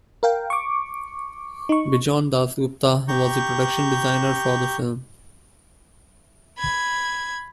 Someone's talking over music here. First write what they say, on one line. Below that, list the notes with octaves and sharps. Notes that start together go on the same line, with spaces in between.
Bijon Das Gupta was the production designer for the film.
A#4 F5 G5
C#6 D6
D#4 C#6
G4 A#5 C#6 G6
B5 G#6